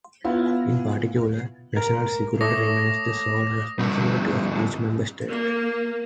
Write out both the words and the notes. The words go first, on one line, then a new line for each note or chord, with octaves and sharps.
In particular, national security remains the sole responsibility of each Member State.
B3 E4 F4
A#4
A3 A4 C#5 D6 D#6 A#6
D2 G2
A#3